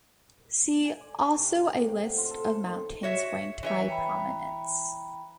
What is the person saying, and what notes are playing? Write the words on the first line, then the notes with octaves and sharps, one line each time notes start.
See also a list of mountains ranked by prominence.
G#5
D5
E5
C3
D6
A2
G5
F#5
F4
A4
F4
D#3
F#4 C#5 E5
E3 B4 C#5 E5
G5 A#5 B5